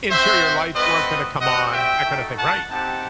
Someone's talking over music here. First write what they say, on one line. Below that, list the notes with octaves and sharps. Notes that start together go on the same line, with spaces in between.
Interior lights weren't gonna come on, that kind of thing, right?
C4 F#4 C5 E5
A3 C4 F#4 B4 D#5
G3 C4 F#4 D#5 F#5
E5 G5
A3 D#4 F#4
F#5 A5
C4 D#4 G4 F#5 A5